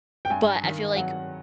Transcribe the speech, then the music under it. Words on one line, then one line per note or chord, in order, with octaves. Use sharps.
But I feel like
G5
G2 G#5
D#3
F#3 F#5